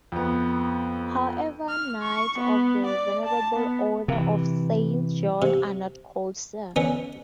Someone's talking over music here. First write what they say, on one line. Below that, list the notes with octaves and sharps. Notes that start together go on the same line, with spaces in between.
However, Knights of the Venerable Order of Saint John are not called "Sir".
F2 B3
F6
C#6
B3
D5
A5
B3
C3 E3
C3
D3 B3 C#4